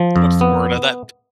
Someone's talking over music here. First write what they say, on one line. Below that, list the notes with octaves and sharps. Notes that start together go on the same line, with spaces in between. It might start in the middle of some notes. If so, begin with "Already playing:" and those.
What's the word uh, that
Already playing: F3
F2
B3